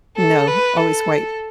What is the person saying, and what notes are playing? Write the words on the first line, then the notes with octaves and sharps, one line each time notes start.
No, always white.
A4
B4
A4